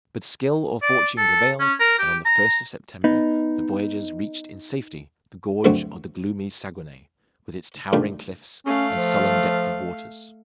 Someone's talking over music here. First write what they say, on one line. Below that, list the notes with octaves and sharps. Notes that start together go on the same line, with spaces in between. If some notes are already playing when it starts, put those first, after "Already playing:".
But skill or fortune prevailed; and, on the first of September, the voyagers reached in safety the gorge of the gloomy Saguenay, with its towering cliffs and sullen depth of waters.
D5
A4
C#4
A#4
G4
A#5
B3 D#4
D2 G2 F#3 A3 C4 F#4
D#3 G3 A3 D4 F4
A3 C#4 F5
F3